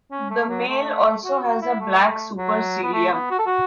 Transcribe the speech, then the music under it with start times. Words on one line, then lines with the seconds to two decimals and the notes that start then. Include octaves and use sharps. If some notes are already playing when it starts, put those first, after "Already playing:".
The male also has a black supercilium.
0.12 C#4
0.30 A3
0.49 F#3
0.67 A3
1.24 F#4
1.43 F#4
1.61 E4
1.80 A3
2.37 F#3
2.83 B3
2.93 A3
3.12 B3
3.31 F#4
3.39 A4
3.47 F#4